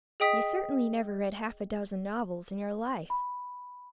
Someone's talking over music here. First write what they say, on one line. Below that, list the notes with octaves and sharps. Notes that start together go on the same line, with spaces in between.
"You certainly never read half a dozen novels in your life!"
G#4 D#5 G5 D#6 B6
B5